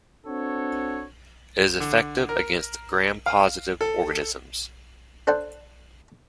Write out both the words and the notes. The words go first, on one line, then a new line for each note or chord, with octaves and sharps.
It is effective against Gram-positive organisms.
C4 D4 F#4 A4 C#5
D3
A#4
F5
A4
D4 A4 C5 D5 F#5